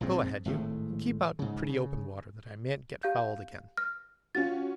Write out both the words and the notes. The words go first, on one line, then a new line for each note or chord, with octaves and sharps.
Go ahead you, and keep out in pretty open water, that I mayn't get fouled again.'
A#1 G#2 G#3 C4
G#1 A2 G#3 A3
G#2 C#3
C#3
G4 F5 G6
F6
C#4 F4 F#4 A6